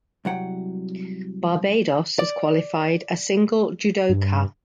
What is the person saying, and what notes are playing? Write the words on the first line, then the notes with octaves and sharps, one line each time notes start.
Barbados has qualified a single judoka.
C2 F#3 F#5 G5
D5
G2